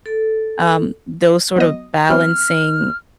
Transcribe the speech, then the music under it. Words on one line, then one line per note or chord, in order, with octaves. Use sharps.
um, those sort of balancing,
A4
F#3 B3 D#5
F#3 B3 C4 F6